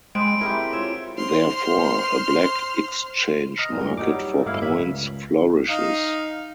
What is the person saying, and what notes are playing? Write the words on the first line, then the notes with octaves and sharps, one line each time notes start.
Therefore, a black exchange market for points flourishes.
G#3 C4 B5 C6 D7
E4 G4 G#4 A#4
F4 C#5 E5
C5 C6 F6
D#5 A#5 F6
E2 G2 A#2
F#3 G3 D#4 D6
G1 A2 A#3 E4 F5
E5 B5
C#2
D#4 F5